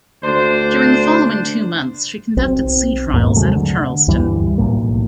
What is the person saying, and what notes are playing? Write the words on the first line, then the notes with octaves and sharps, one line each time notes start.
During the following two months, she conducted sea trials out of Charleston.
D2 D4 C5
B1 C4
D#2 G#2 A#3
C3 F#3 G#3 A3
D3
D2 G2 E3 G3
B1 F#2 A2 A#3